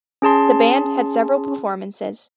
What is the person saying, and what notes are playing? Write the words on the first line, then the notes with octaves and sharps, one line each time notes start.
The band had several performances.
C#4 G#4 A5 C6